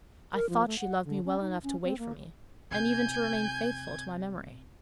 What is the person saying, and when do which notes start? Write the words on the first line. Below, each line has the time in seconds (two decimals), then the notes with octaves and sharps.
I thought she loved me well enough to wait for me, and even to remain faithful to my memory.
0.34 A#4
0.50 F3
0.66 A3
0.79 F#5
1.05 D3
1.25 C#4
1.41 D#4
1.63 C#4
1.84 C4
1.98 A#3
2.71 C3 G#5 G6 G#6